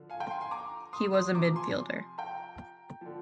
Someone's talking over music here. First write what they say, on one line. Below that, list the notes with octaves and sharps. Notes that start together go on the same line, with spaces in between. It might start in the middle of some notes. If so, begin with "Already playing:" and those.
He was a midfielder.
Already playing: D3 F3
F5 G#5
G5 A#5
G#5 C6
G#5 C6
A#5 D6
C6 D#6
C6 D#6
C3 F3 A#5 D6
G#5 C6
G5 A#5
D3 F3